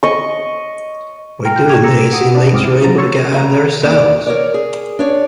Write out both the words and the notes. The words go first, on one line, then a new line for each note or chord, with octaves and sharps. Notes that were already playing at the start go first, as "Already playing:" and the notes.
By doing this inmates were able to get out of their cells.
D#5 C#6
G5 G#5 A#5 C6 F6 A#6
G6
G#4 C#6 D6 G#6 E7 F7
A#5 E6 A#6 C#7
D6 D7 D#7
B4 F#5 D#6 D#7
D4 B4 D5
C2 G#2 C4 D6 D#6 F6
E4
F3 F#3 A#5 A6
C#5 C6 C#6 E6 A6
C#3 E5 A#5
D#2 D#3 D5
A#4 C#5 D5
G#4
D4 C#5 D5